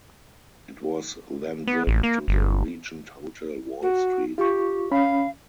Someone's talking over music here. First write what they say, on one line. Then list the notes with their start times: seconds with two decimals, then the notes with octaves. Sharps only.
It was then driven to the Regent Hotel, Wall Street.
1.67 B3
1.87 A1
2.03 A#3
2.28 G1
3.82 F#4
4.38 F4 G4 C#6
4.91 C#4 F5 B5